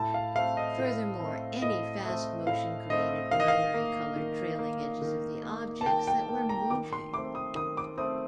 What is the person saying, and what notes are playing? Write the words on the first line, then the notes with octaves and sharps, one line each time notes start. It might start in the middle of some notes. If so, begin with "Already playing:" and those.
Furthermore, any fast motion created primary-colored trailing edges of the objects that were moving.
Already playing: A2 A5
F5
A3 C4 F5
D#5
A2
A3 C4
A2 D#5
A3 C4
A2 F5
A3 C4 D#5
D#3 F5
D#5
F5
A#3
D#3
A#3
D#3
A#3
A5
D#3 G5
G5
A#3
A#5
D#3 D6
C6
A3 C4 D6
D#6
D#3 D#6
D6
A3 C4 D#6